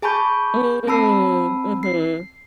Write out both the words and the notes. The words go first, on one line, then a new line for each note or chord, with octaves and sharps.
Mm, mhm.
G#4 G#5 A5 B5 C#6 G6
C4 A5 B5 E6 C7
C7